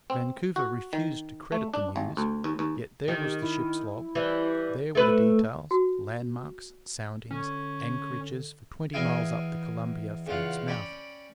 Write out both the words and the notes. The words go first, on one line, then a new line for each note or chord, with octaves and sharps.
Vancouver refused to credit the news; yet there was the ship's log; there were the details--landmarks, soundings, anchorages for twenty miles up the Columbia from its mouth.
C4
F#4
D#3
A3
D4
G#1
D2
D#2
D#2
D#3 G4
E4
E3 G3
A3 B4
F#4
D3 C#4
E2 E4 D#5 F5 G5 G#5
E2 C#3 F4 F#5
C#4 D5 G5 B5